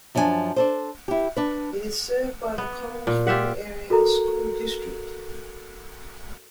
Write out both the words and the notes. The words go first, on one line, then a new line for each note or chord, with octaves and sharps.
It is served by the Connellsville Area School District.
F#2 F3 D4 G#4 G#5
D4 A4 C5
E4 G4
D4 B4
B3
A#2
F4 G4 E5 F#5
F#4 A4 A#4 A#5